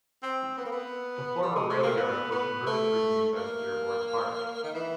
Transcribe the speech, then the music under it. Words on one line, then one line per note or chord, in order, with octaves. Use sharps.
The former rail yards were converted for use as Dearborn Park.
C4
B3
A#3
B3
G3
G#3
A3
A#3
B3
B3
A3
A#3
D#3
E3